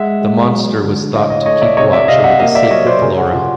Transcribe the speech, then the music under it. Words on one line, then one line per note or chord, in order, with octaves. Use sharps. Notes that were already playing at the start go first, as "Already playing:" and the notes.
The monster was thought to keep watch over the sacred laurel.
Already playing: G#3 E5 F#5
G#3
F#3
D3
A2 D#5 F5
C#5 D#5
A3 C#5 D#5
D5 E5
C3 C#5 D#5
D5 E5
C3 D#5 F5
E5 F#5
A#3 D#5 F5
D5 E5
F#3 C#5 D#5
C5 D5
C#3 G#4 A#4
F#4 G#4
C#3 F4 G4